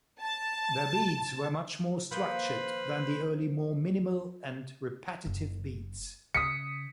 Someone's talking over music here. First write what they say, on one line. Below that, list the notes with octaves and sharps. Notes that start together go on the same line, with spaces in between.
Their beats were much more structured than the early more minimal and repetitive beats.
A5
D#2 F3 A#3 B4 C5 B5
F#1
C#3 D#6 B6 C#7